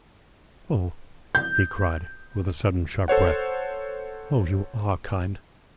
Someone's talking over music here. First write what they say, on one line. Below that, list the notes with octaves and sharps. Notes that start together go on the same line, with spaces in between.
Oh," he cried, with a sudden sharp breath, "oh, you ARE kind.
G6
A4 C5 C#5 F#5